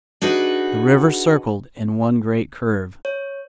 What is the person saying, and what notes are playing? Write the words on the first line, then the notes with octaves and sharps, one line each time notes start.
The river circled in one great curve.
D4 D#4 F#4 G#4 B4
C#5